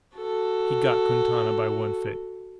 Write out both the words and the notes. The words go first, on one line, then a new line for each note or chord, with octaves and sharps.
He got Quintana by one foot.
F#4 A4